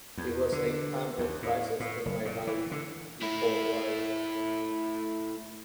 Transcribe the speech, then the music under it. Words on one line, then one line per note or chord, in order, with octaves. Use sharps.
"It was a time of crisis in my life," recalled Rice.
E2
D3
D#2
A2
A2
F#1
A#2
E3
D3
A3 E4